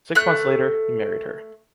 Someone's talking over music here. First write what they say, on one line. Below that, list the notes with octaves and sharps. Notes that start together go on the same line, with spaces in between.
Six months later, he married her.
A3 F#6